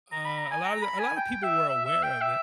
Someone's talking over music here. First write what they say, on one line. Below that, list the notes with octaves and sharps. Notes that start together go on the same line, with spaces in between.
uh, a lotta a lotta people were aware of it,
A#5
B5
A#5
G#5
A#5
B5
G#5
G5
E5
E5
E5
G5
E5